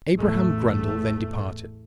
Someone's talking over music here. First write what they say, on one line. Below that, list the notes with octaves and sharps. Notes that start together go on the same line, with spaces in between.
Abraham Grundle then departed.
A1 E2 A2 A3